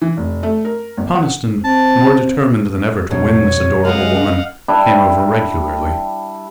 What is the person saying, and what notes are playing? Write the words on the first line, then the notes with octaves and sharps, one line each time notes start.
Conniston, more determined than ever to win this adorable woman, came over regularly.
E3
F1
A3
A#4
G1
F#5
C4 A5
F2 G#2 B2 C#5
C2 G#3 G#4 D#5 F5 F#5
G3 D4 E4